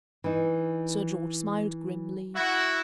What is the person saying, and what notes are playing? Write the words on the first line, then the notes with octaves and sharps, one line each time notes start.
Sir George smiled grimly.
E3 D#4
E4 F#4